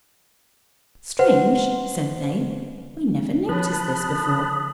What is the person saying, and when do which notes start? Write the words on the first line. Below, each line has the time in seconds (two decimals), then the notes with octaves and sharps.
Strange, said they, we never noticed this before.
1.19 B4 C5 F#5
3.49 F3 C#5 A5 B5 D#6 F#6